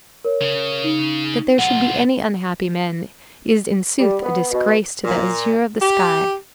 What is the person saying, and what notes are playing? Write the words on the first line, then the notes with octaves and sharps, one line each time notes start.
That there should be any unhappy men is, in sooth, a disgrace to the azure of the sky.
A#4 C#5
C#3
D#4
B1 F4 F#5
G3
B3
B2
A#2
G4